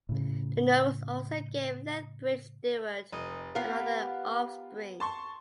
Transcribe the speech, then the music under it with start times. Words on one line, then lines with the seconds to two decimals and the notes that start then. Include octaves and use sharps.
The novels also gave Lethbridge-Stewart another offspring.
0.09 A2 C#3
3.12 F1 D#4
3.55 B3 F4 G4 A#4 C7
5.00 A5 C6 C#6